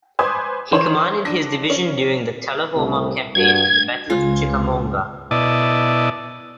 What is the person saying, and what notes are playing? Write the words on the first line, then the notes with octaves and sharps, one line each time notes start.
He commanded his division during the Tullahoma Campaign and the Battle of Chickamauga.
B4 C5 G#5 D6 D#6 G#6
E3 A#4 C5 C#5 C6 E7
D4 A#6
C#4
C2 A2 C3
G2 F#4 G#6
C#2 C#3 G#3 F4
B2 E4 D5 D#5 A5